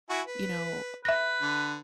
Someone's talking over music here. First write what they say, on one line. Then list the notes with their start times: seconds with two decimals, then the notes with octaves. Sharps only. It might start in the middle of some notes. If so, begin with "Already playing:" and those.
you know, uh uh
0.10 E4 F#4 G#5
0.27 B4
1.05 B4 E5 A#6
1.42 D3